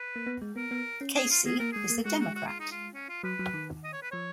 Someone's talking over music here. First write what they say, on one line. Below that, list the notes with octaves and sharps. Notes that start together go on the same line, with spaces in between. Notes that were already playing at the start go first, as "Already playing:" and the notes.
Casey is a Democrat.
Already playing: B4
A#3
B3
G#3
B3 A#4
B3
C#4
G#4
F4
B3 G#4
A#3 A#4
G#3 G#4
A#3
G#3 F#4
F#4
F#4
F4
D#4
F4
C#4
F4
F#3 B4
F#3
D#3
D#5
C#5
B4
F3 C#5